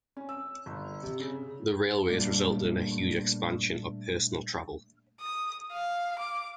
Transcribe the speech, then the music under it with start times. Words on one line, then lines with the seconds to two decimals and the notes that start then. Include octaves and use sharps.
The railways resulted in a huge expansion of personal travel.
0.17 C#4
0.29 E6
0.66 G1
1.03 C3
1.20 C#3
2.09 A#2 G3 A3 A#3 D4
5.21 D#6
5.72 F5
6.19 D6